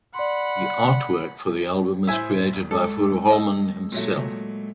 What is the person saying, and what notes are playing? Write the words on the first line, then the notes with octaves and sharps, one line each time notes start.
The artwork for the album is created by Furuholmen himself.
D5 F#5 B5 C6
A2 E4 C5 E5 G#5
E1
G#3 A4
D#5 E6
A#2 F#3 A3